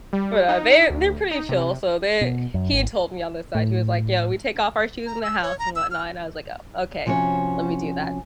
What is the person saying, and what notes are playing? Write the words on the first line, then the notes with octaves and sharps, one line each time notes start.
Well, they're they're pretty chill, so, they he told me on the side. He was like, "Yeah. We take off our shoes in the house and whatnot," and I was like, "Oh, okay. Let me do that,"
G3
D#4
D2
D#4
C3
B2
F#2
G#1
A2
A#5
E6
C#5
A#5
E6
F6
C3 F3 C#4 F#4 C#5